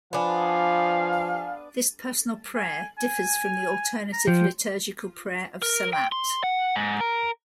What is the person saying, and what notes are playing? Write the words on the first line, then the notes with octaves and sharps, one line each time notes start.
This personal prayer differs from the alternative liturgical prayer of salat.
F3 B3 D4 F5 G#5
G#5
G#5
A#5
F3 G5
A#4
G5
C6
F#5
G#2
A#4